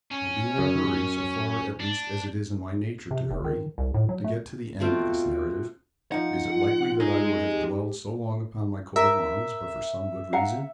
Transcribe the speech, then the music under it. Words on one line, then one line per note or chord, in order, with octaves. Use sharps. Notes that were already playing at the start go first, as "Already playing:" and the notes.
Now being in a hurry--so far at least as it is in my nature to hurry--to get to the end of this narrative, is it likely that I would have dwelled so long upon my coat of arms, but for some good reason?
C#4
F#2
D4
C3
F1
D#3
C2
A2
F#3
A3
B2 A3 C4 F4
F3 D#4 F#5
F4
D#4 G#4 D#5
G4
A#4 E5
F5 F#5 A#5